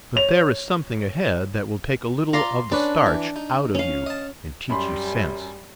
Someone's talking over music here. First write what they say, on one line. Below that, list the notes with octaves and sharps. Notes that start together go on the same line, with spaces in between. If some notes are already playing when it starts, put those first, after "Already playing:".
But there is something ahead that will take a little of the starch out of you and teach you sense.
C#5 F7
F4 D5 A#5 C6
C#4 D4 B4 D5
E3
D#4
C#4 F5
D#5 A5
F#2 G3 B5 C6